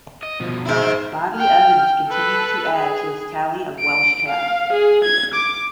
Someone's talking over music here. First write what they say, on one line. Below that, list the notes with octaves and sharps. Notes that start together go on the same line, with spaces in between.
Bobby Evans continued to add to his tally of Welsh caps.
D#5
B2 F3
G#2 E4
G5 F6
A4 B4
G#4
D7
F5
G#4
G#6
D6